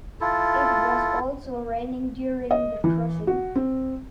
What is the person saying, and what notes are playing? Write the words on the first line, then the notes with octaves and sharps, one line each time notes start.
It was also raining during the crossing.
E4 F4 A4
D#5
E3
F#4
C4